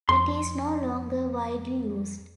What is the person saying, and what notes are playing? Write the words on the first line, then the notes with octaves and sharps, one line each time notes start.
It is no longer widely used.
F2 C6